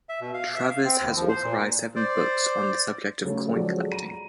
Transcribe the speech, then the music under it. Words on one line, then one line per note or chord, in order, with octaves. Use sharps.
Travers has authored seven books on the subject of coin collecting.
E5
B2
F5
E5
F5
C4
D#2
F3
C5
A#2
C5 D5
C#3 F#3 A3
F3 F#3 G#3 F#4 A4 D5
A#5 D#7